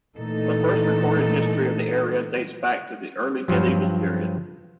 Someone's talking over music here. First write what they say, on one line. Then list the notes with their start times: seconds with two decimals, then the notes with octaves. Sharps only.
The first recorded history of the area dates back to the early medieval period.
0.18 A#2 E3 A3 D#4 A4
3.48 G2 F3 F#3